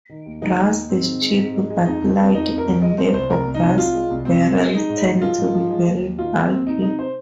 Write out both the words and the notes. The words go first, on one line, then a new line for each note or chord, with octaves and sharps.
Brass is cheap but light and therefore brass barrels tend to be very bulky.
D#3
D#2
G#3 D#4
D#2
D#3
G#2 C4
D#3
G#3
G#2
G#2
G#3
F2 D#4
F2
C4
G#3
F2 D#4
F2
A#4
F2
G#3 D#5
C3 C5
C2 C5
C2 A#4
C2
D#4
C2
C2 F4
G#3
C2
C2 C4
C3
G#3
G#3 D#4
G#2
G#3
F3 F4
G#2
F3
G#3
D#2
D#2
D#3 F4
D#2
C4
D#2
C3 D#4
C3 D#4
C5